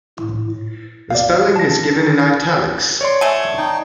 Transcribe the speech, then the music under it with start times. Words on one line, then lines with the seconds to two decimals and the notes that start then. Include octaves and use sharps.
The spelling is given in italics.
0.19 A2
1.11 D5 F5
1.56 A5 A#6
3.01 C#5 D5 C6
3.21 A3 G#5
3.58 D#4 G5